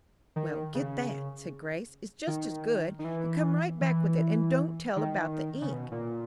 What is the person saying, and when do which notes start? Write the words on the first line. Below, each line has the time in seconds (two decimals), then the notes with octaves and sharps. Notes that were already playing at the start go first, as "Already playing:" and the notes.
"Well, get that," said Grace, "it's just as good; and come right back with it, and don't tell about the ink."
0.36 D#3
0.75 C#3
2.27 D#3
2.99 D#3
3.04 E3
3.81 E3
4.96 D#3
5.62 C#3
5.73 B2
5.92 A#2